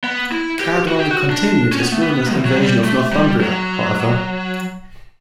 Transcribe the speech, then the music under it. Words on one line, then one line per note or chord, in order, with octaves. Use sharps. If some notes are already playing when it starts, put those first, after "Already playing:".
Cadwallon continued his ruinous invasion of Northumbria, however.
B3
E4
G4
F#4
G4
F#4
D4
C#4
B3
A3
B3
E3
F#3
G3
A3
G3
F#3